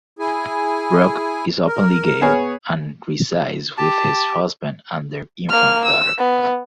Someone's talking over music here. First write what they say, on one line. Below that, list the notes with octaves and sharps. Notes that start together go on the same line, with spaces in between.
Bruck is openly gay and resides with his husband and their infant daughter.
E4 G#4 G#5
A#4
B3 G#4 C#5
G4 A5
A#3 F6
E6
B3